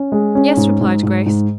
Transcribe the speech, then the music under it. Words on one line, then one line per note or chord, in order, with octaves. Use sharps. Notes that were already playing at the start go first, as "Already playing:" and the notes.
"Yes," replied Grace.
Already playing: C#4
G#3
C#4
G#2
G#2
G#2
G#2